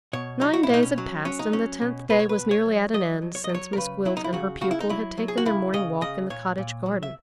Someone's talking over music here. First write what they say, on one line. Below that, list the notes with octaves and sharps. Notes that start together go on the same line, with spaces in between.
Nine days had passed, and the tenth day was nearly at an end, since Miss Gwilt and her pupil had taken their morning walk in the cottage garden.
B2 C#5
F#3 D#4
F#4
E4
B2 D#4
C#4
F#3
F#3 C#4
D#4
F#3 C#4
B2
B2 B4
C#5
B4
B2
C#5
F#3
F#3 D#5
F#3
C#5
D#5
F#3
C#5
A#4
C#3 B4
F#3 E4
D#4
E4
C#3 F#4
C#3 F#4
E4
D#4
F#3 E4
F#3
G#4
F#4
C#3 E4
C#3 D#5
C#3 D#5
A#2 C#5
A#2
F#3
E5